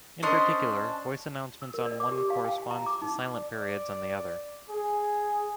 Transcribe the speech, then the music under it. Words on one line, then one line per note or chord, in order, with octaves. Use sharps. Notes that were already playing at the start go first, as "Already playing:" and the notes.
In particular, voice announcements on one correspond to silent periods on the other.
C#4 D4 C5 D#5
E6
A#4
D5
D6
G4
F5
G5
G5
A#5
D6
D#4
D5
G#4